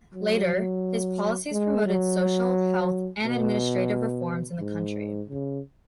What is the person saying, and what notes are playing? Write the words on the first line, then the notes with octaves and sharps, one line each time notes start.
Later, his policies promoted social, health and administrative reforms in the country.
F#3
G#3
F#3
B2
G#2
C#3